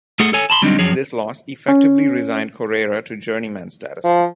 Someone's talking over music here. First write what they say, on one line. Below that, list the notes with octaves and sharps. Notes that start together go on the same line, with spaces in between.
This loss effectively resigned Correira to journeyman status.
A3 G#4 A4 F#5
A4 C#5 G#5
A5 B5 C6
D3 F#3 G3 C4 D4 D#4
F#2 F3 F#3 G#4 C#5
C#4
F3